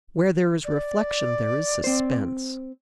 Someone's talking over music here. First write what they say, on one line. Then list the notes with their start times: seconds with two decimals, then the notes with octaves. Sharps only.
Where there is reflection there is suspense.
0.64 D5
1.84 C4 C5